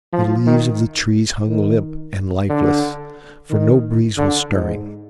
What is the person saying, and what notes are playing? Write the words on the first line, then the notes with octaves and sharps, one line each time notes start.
The leaves of the trees hung limp and lifeless, for no breeze was stirring.
F3
D#3
D#3
D3
D#3
D3
G#2